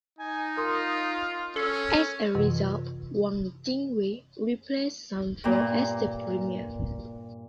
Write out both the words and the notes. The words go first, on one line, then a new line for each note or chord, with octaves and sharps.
As a result, Wang Jingwei replaced Sun Fo as the Premier.
D#4 G#5
F4 A#4 C6 D#6
C#4 A4
F#2 C3 E3
G2 A#2 A#3